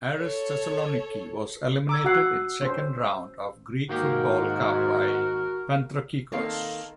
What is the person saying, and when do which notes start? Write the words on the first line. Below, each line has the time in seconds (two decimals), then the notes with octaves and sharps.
Aris Thessaloniki was eliminated in "Second round" of Greek Football Cup by Panthrakikos.
0.16 A4 C#5
1.89 A#5 D6 E6 G#6
2.04 F#4 F#5 E6 C7
2.62 C#4 C5
3.89 G#2 D#3 A#3 F#4 G4 A#4
6.32 D#3 A#3 C4 A4 F5